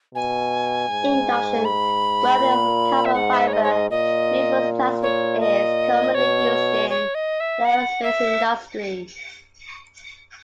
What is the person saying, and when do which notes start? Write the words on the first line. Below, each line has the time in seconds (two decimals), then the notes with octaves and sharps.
Induction welding of carbon fiber reinforced plastics is commonly used in the aerospace industry.
0.15 B2 G#5
0.90 G#2
1.65 B5
2.40 A#2
3.05 E5
3.14 G#2 F#5
3.33 E5
3.47 C#5
3.53 D#5
3.63 C#5
3.71 D#5
3.90 A#2 D#5
5.02 C#5
5.40 D#5
6.14 B2 C#5
6.90 C#5
7.15 D#5
7.40 E5
7.65 F#5
8.03 E5